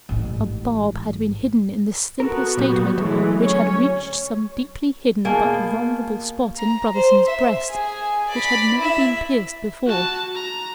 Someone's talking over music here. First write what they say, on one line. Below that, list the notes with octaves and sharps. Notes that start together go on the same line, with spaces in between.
A barb had been hidden in this simple statement which had reached some deeply-hidden but vulnerable spot in Brotherson's breast, which had never been pierced before.
A1 G#2
B3 F#4 A4 A#4
A#2 F#3 G4
D2 E3 F#3 G#3 A3
C#4 C#5
B2 A#3 G#4 G#5 A5
A#5
C5
E5
G#4 G#5
D5 B5
E4 E5
F#4 A5
A#5